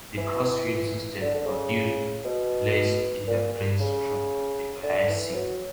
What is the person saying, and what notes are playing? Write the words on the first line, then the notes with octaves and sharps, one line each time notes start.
The cross-field system produced less interference from the bias signal.
E3
D3
D3
C#3
B2
A#2
C#3
D3
E3
F#3